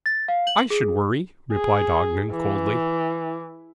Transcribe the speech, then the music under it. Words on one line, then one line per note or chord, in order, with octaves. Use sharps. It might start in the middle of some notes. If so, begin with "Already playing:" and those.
"I should worry!" replied Ogden coldly.
A6
F5
F#7
G#4
G#4
E3